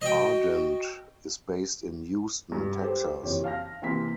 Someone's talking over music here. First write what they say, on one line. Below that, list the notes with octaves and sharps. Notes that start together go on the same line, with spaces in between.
Ardent is based in Houston, Texas.
F#4 D#5 G5
G2
G4 A4 C5
F#1 F2 E3 G4 C#5
F5 A5 F6 A#6
C3 E3 A#3 E5 C6 B6